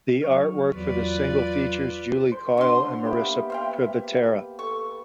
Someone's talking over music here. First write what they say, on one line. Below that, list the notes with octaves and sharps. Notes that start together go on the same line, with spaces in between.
The artwork for the single features Julie Coyle and Marisa Privitera.
F#3 C#6 F6
E2 F#3 F4 B4 D5
C5
D3 D4 C6
A#3 B3 G4 E5
C5 F5 G5
A4 C#6